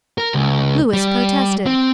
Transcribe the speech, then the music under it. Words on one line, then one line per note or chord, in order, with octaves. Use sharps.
Louis protested.
A#4
C#2
G3
C4